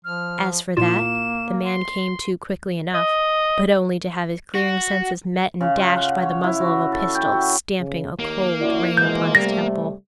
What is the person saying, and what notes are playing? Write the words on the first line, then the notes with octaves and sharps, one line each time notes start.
As for that, the man came to quickly enough; but only to have his clearing senses met and dashed by the muzzle of a pistol stamping a cold ring upon his temple.
F3 F6
A#2 A#3 E4 F4 E7
C6
D#5
F#4
C#3
F4
F#5
C#5
E4
F#4
A4
G5
F#4
C#3
D#2 A#3
F#2 E4 F#4 D5
B2 E3 F3 G#3 G6
C3 G3 A3 A#6